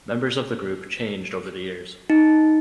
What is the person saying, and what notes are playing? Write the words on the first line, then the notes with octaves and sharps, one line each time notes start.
Members of the group changed over the years.
D#4